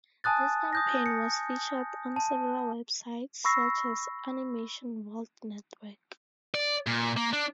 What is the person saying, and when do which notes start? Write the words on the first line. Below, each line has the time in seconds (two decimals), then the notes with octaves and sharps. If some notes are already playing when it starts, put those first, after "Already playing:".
This campaign was featured on several websites such as Animation World Network.
0.24 G#5 A5 D#6 F#6 A6
0.73 D#6 G6 A#6
1.06 C#7
2.16 A5
3.44 B5 C#6 E6 A#6 C7
6.55 D5
6.87 A#2
7.17 A#3
7.33 D4